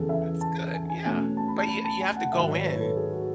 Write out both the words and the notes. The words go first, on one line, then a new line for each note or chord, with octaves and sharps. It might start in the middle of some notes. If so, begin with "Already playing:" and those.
that's good, yeah. But you you have to go in
Already playing: E2 C#3 E3 G#4 A4
E5
A5
A5
G#5
G#5
B2 A3 C#4 G#5
A5
B5
A5
B5
A5
G#5
F#5
G#2 D#3 F#3 E5
E5
C#5
B4
A4
G#4
F#4